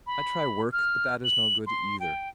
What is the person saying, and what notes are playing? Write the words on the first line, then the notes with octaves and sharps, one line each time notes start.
I try work, but that is no good either.
B5
F6
F#7
C6
G5